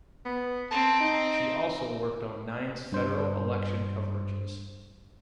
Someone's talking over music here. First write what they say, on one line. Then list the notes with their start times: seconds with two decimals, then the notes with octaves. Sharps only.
She also worked on Nine's Federal Election coverages.
0.25 B3
0.71 C4 A5
1.00 D#4
2.92 G2 C5